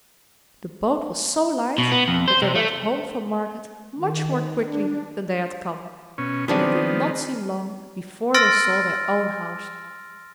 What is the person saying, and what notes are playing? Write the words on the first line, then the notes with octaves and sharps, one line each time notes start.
The boat was so light that they went home from market much more quickly than they had come, and it did not seem long before they saw their own house.
B2
B3
F2
C5
C3
A3
D#3
D4
B2 C#4
D#3 F3 B3 C4 D4 G#4
C6 E6 F6 A6 A#6 D7